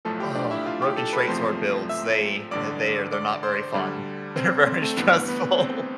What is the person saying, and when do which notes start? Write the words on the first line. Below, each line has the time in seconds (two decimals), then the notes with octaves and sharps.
Ugh, Broken Straight Sword builds. They they are they're not very fun. They're very stressful.
0.05 B1 A2 F3 A3 A4 A5
0.20 G4 G5
0.35 D4 D5
0.51 E4 E5
0.66 F4 F5
0.82 G4 G5
0.97 A4 A5
1.13 B4 B5
1.28 E2 C3 F3 A3 C5 C6
1.89 E5 E6
2.51 A1 G2 D3 D5 D6
3.12 D5 D6
3.43 C5 C6
3.74 D2 D3 G3 D4 D5
4.36 C4 C5
4.66 C4 C5
4.82 A3 A4
4.97 G1 G2 E3 A3 B3 B4
5.28 B3 B4
5.58 C4 C5